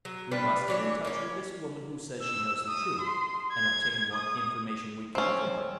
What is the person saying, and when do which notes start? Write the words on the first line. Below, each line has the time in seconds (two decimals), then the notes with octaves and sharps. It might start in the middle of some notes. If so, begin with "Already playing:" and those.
We must get in touch with this woman who says she knows the truth, and obtain what information we can from her.
0.05 F#3
0.31 G3 D4 F4 B4
0.68 E3 D4 C#5
1.04 A#3 C#4
2.22 E6
2.69 D#6
3.01 C6
3.53 G#6
4.12 D#6
5.15 C4 C#4